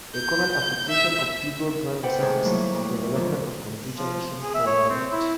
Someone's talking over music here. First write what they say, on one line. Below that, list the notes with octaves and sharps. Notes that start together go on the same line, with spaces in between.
A current application of figure-ground research is the development of computer vision for robots.
G6
E5
A4 B4 C5 D5 F#5 G5
D2 G#2 C3 D#3 G#4 A5
F#3 G3 A3 A#3 E4 A4
D2 A#3
A#2 D3 D#3 F3 F#3
F3
G#4
E5
C#5
C4
E4